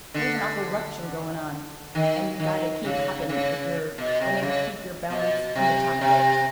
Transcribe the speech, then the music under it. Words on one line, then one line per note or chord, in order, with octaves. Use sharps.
There's an awful ruction goin' on, and you got to keep hoppin' if you're goin' to keep your balance on the top of it.
D3
D#3
D#3
C#3
C#3
B2
C3
C#3
B2
C3
C3